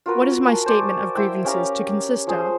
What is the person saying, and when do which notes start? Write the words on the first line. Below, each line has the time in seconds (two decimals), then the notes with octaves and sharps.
"What is my statement of grievances to consist of?"
0.06 F4 F#4 A#4 B4
0.47 A#4 G#5 A5
0.66 C5 D5 C#6
1.16 E4 C5 E5 G5
1.45 C#4 G4 F5 A#5
2.27 F3 G#4 C5